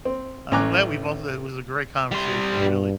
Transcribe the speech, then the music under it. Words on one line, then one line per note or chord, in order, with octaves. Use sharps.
I'm glad we both it was a great conversation, really.
C4
A1 C#4 G#5 A#5 D6 F#6
G3 C6
G2